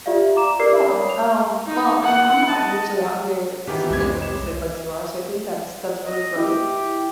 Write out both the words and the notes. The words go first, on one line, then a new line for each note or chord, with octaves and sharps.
Yeah, um, well, I mean, I'm not usually out here seeking new music like you are, so I think that's that's really great.
F4 G4 D5 E5 F5
A#5 D6 E7
G4 A#4 B4 D5 D6 C7
C#5 B5 D#6
F7
D#4
F#5
D#5 A5
D#3 E3 B3 G4 G#4 B4
F1 C2 C3 G#3 G#6
C#5 D#5 E7
D#5
E4 G4